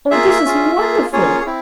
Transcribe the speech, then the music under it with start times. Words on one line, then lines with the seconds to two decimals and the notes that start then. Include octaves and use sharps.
Oh, this is wonderful!
0.11 A#3 F4 G#4 E5
0.45 C#4 F4 G#4
0.78 A#3 F4 G#4
1.13 A#3 C#4 F4 G#4 C#5
1.41 G#4
1.46 C4 E4